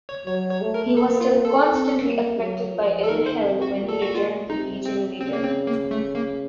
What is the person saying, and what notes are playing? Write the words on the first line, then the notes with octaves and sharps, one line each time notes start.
He was still constantly affected by ill health when he returned to Beijing later.
C#5
F#3 C#5
C#5
A3
A#4
A#3 A4
F4
A4
C4
A#3
F#3
F3
A4
D#3 A#4
C5
C3
F#4
A#2
A4
F#4
F4
C3 D#4
C4
C#3 C4
A#3
C4
A#3
A3
A#3